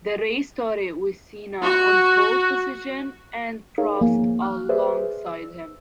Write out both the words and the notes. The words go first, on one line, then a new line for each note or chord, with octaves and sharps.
The race started with Senna on pole position and Prost alongside him.
F#4
D#4 G#4 A#4 C#5 F5
G#1 F3 A#3 F5 G#5
F6 F#6
G#4 B4 C5 D5 E5
E6